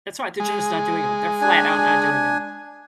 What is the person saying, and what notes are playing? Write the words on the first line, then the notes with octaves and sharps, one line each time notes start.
That's right, they're just not doing 'em. They're flat out not doing 'em.
G#3
D4 G#5